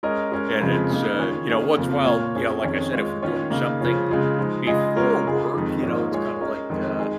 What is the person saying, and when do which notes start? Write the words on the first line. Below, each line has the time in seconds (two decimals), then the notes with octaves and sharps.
and it's, uh, you know, once in a while, you know, like I said, if we're doing something before work, you know, it's, kinda, like, uh,
0.03 G#3 C#4 A#4 D#5
0.32 G#3 C#4 A#4
0.61 F2 C#3 F3 G#3
0.91 C#3 A#3 D#4
1.18 D#3 C#4 F4 G#4 C#5
1.47 D#3 A#3 C#4 G#4
1.77 F2 C#3 F3 A#3
2.05 A#2 A#3 F4 C#5
2.35 F2 F3 C#4 G#4 C#5
2.63 F2 D#3 C#4 G#4 C#5
2.93 G#3 F4 C#5
3.22 D#3 C#4 F4 C#5
3.50 C#3 A#3 D#4
3.80 C#3 F3 C#4 F4
4.08 C#3 G#3 F4
4.38 F3 G#3 D#4
4.67 C#3 G#3 F4 G#4 D#5
4.96 G#3 C#4 F4 A#4
5.25 C#3 G#3 F4 G#4
5.53 F2 D#3 G#3 D#4
5.83 G#2 F3 A#3 D#4 C#5
6.12 G#3 F4 G#4 C#5
6.40 G#3 C#4 A#4 D#5
6.70 F2 D#3 G#3
6.99 G#3 D#4 G#4